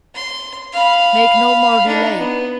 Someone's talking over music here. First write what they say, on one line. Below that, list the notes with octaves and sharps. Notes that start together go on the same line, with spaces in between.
Make no more delay!
C6
F5 B5
D4 D#4
B3